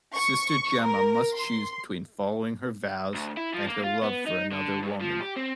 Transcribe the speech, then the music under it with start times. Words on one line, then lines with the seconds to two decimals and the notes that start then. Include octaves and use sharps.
Sister Gemma must choose between following her vows and her love for another woman.
0.14 C#6
0.82 A#4
1.33 C6
3.14 D2
3.37 E4
3.54 F3
3.66 A#3
3.84 F4
4.03 B3
4.27 D#4
4.52 D3
4.82 G2
5.01 F3
5.21 G4
5.36 C4